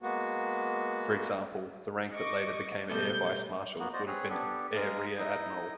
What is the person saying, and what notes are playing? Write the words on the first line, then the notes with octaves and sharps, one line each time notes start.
For example, the rank that later became air vice-marshal would have been air rear-admiral.
G#3 A#3 B3 F#4
D#5 C#6 D6
B2 G3 A3 G6
A#3 B3 F#4
F#4 C5 D5 D#5
C4 G#4 B4 C#5
B3 D4 G4 A4
G#3 F5 A#5 D#6
D#4 E4 D#5 D#6